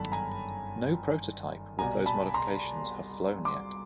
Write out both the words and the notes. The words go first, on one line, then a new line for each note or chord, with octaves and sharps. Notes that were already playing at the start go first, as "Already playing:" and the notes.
No prototype with those modifications have flown yet.
Already playing: G1 F#2 D#3 A5 B5
G#5 A#5
C2 B2 G3 G#5 A#5
A5 B5
A#5 C6
C6 D6